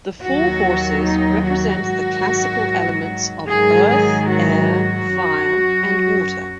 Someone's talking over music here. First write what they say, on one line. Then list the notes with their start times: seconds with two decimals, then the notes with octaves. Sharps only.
The four horses represent the classical elements of earth, air, fire, and water.
0.23 D#2 D#3 F#3 F#4
1.04 D#4
1.45 F#4
1.86 G#2 D#3 F#3
3.49 G#2 D#3 F#3 G#4
3.88 G#4
4.30 F#4
5.11 F#2 F#3